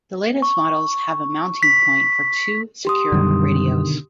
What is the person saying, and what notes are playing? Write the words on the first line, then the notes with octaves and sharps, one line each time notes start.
The latest models have a mounting point for two secure radios.
C#6
B6
G4 C6 D#6
F#2 B2 D3 D#3 G3